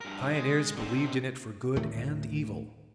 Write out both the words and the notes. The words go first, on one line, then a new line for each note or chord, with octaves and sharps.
The pioneers believed in it for good and evil.
G2 A#4
G#3
D3 C4
D2 A2 D#3 A3